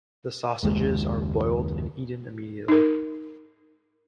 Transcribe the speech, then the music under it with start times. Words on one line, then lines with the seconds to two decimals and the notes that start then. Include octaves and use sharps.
The sausages are boiled and eaten immediately.
0.63 F#1 D#2 G#3
2.68 D#4 A#4